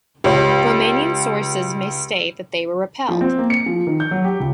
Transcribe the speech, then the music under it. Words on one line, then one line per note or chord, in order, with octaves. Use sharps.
Romanian sources may state that they were repelled.
C#2 G4 C#5
F3
C4
A#3
C#7
F3
D#3
G6
F#3
G4
C#2